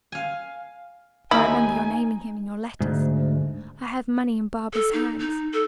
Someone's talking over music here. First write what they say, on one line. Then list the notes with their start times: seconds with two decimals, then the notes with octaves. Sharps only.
I remember your naming him in your letters. I have money in Barbour's hands.
0.12 F5 G#5
1.31 D#2 D#4 E4 G#5 B5
2.81 D2 G#2
4.73 A4
4.93 D#4
5.20 D#4
5.53 A4